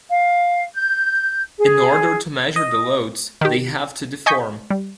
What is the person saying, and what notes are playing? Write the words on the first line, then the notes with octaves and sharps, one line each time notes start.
In order to measure the loads, they have to deform.
F5
G6
G#4
D#5
D#3 G4
D#5 G#5 C#6 G6 B6
G3